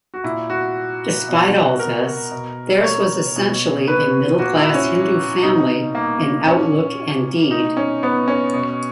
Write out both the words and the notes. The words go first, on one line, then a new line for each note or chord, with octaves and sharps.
Despite all this, theirs was essentially a middle-class Hindu family in outlook and deed.
F#4
A#2 E4
F#4
B2
A#4
B2
C#5
B2
B4
A#2 F#4
E4
C#4
B2 D#4
A#3
A#3
A#2 C#4
B2 D#4
C#4
B3
C#4
B2